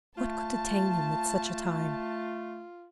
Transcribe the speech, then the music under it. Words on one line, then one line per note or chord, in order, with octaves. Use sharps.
What could detain him at such a time?
A3 F4 A5